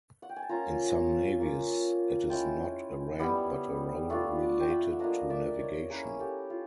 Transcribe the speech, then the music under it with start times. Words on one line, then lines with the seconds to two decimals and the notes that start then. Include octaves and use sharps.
In some navies, it is not a rank but a role related to navigation.
0.22 F#5
0.29 G5
0.36 G#5
0.42 A5
0.49 A#3 C#4 F4 G#5 A#5
1.40 A#3 C#4 F4
2.29 G#3 C#4 E4 G5 A5
3.19 G3 B3 E4
4.10 A3 D4 F4
4.60 G5
4.70 E5 F#5
4.91 F#5
4.99 F3 A#3 D4 D#5 F5
5.30 D5 E5
5.59 C#5 D#5
5.90 A#3 C#4 E4 G#4 A#4
6.19 G4 A4
6.50 F4